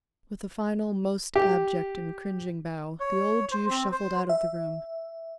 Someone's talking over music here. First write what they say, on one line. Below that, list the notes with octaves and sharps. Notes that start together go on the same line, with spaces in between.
With a final, most abject and cringing bow, the old Jew shuffled out of the room.
G4
C#5
C5
C4
C5
E5